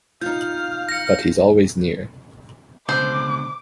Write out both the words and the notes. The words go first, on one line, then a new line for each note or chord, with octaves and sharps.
But he's always near.
D#4 F4 F5 F6 G6
A#6 C#7
C#2 B2 D3 C5 D6